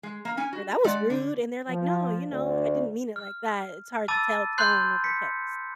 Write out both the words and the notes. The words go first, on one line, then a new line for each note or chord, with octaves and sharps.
or, "That was rude," and they're like, "No," you know, "I didn't mean it like that." It's hard to tell tone over text.
G#3
A#3
C#4 G#5
F#4
G#3 D5 F#5
D3
F3
D2
F6
A5 B5 D6 E6 A6 D#7
B5 C6 D6 F#6 G6 C7
B6 C#7